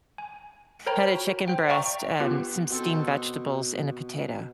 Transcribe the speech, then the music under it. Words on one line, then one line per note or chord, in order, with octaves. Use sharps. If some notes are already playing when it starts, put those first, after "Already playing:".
had a chicken breast and some steamed vegetables and a potato.
G#5
A#4 C5 C#5 G5 A#5 B5
F#4
C5 G5
D5 E5 F5 G5 A#5 C#6
B3 F4 G4 B4
B2 C4 A4